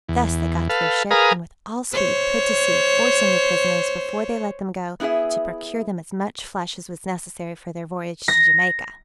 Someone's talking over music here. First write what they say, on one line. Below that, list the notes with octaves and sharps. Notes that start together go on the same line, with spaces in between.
Thus they got to their ship, and with all speed put to sea, forcing the prisoners, before they let them go, to procure them as much flesh as was necessary for their voyage to Jamaica.
E2
A4 B4 F5
G#4 A#4 B4 F5 A#5 D#6
C5 C#5
B3 E4 F#4 G#4 E5
A#6